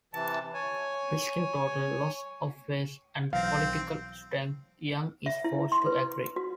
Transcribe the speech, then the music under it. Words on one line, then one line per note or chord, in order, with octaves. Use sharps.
Risking total loss of face and political strength, Young is forced to agree.
C3 E3 A5
C#5 G#5
B1 E3 C4 F5 A#6
E5
E4
C6
B4
F#4